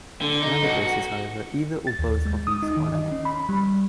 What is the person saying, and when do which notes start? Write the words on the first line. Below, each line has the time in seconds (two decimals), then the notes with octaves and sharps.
In other cases, however, either or both of these are dynamic.
0.22 D3
0.42 D#4
0.63 B1 F#4
0.78 F#4
1.87 A6
1.99 D#2
2.26 G#3
2.47 D#6
2.62 D#4
2.77 D#3
2.94 D#5
3.12 C#4
3.25 B5
3.49 G3